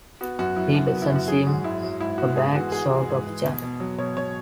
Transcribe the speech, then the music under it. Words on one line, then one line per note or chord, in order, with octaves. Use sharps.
He doesn't seem a bad sort of chap.
B3 F#4
F#2 F#4
F#3 E4
F#2 F#4
F#4
B3
E4
F#2 F#4
F#3 G#4
G#2 F#4
G#2 E4
F#3
G#2 E4
B3 F#4
G#2 G#4
E3 F#4
G#3 G#4
E3
G#2
E3
B2
B2
F#3
B2 C#5
B2 C#5